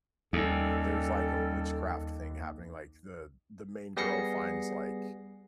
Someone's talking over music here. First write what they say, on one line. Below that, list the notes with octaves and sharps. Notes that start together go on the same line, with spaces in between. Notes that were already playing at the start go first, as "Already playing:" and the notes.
there's, like, a witchcraft thing happening." Like, the the main girl finds, like
D#2 G3 C#4 A4
G3 B3 G#4 A#6 C7 C#7